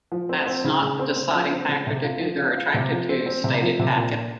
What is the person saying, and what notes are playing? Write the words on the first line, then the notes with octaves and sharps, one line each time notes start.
That's not the deciding factor to who they're attracted to, stated Paquin.
F3
C4
C4
C#3
C#3
C4
C4
F3
C4
C#3
C3
F4
F3
F4
F4
C3
F3
C4
C4
C3
F3
C3
A#2
A#2